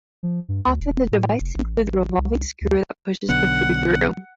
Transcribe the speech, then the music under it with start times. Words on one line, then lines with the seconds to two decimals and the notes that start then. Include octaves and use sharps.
Often, the device includes a revolving screw that pushes the food through.
0.23 F3
0.48 G2
0.66 D2
0.80 E1
1.11 A2
1.40 F1
1.55 A1
2.17 C2
2.61 D2
3.29 B1 D3 B3 F#5